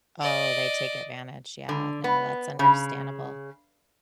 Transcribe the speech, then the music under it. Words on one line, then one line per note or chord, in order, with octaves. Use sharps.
Oh, they take advantage, yeah, no, that's understandable.
D5 D#5
D3
B3
C#3